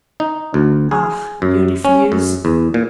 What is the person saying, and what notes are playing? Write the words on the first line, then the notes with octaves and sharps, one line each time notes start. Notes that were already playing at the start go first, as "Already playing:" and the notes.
Ah, you refuse?
D#4
D2
G#4
F#2
C#4
F#2
E2
A#2